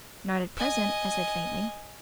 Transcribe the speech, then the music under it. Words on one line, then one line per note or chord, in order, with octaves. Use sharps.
"Not at present," I said faintly.
D#5 G#5